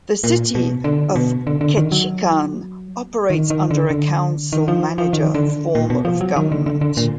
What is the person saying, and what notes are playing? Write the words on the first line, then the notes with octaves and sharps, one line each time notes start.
The City of Ketchikan operates under a council-manager form of government.
A#2
B2
D3
B2
D3
D3
D#3
F#3
D#3
D#3
D3
D3
D#3
F3
F3
D#3
D3
A#2
B2
F3
F#3
D#3
D3
D3
D3
A#2